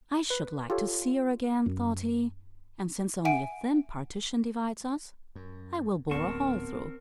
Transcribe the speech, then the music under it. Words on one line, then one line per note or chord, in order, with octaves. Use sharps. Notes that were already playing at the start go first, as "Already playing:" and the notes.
"I should like to see her again," thought he; "and since only a thin partition divides us, I will bore a hole through."
B4
F4 G4 A4 C#5
F#2
E5 F#5 G#5 D7
F#2
D1 D2 B3 C4 A#4 A5 C#6